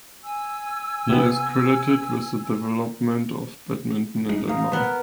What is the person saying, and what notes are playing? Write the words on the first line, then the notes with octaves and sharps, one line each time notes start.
He is credited with the development of badminton in Denmark.
G#5 E6
C3 B3
G#3 D#4
A3 D#4 F5
B3 A#4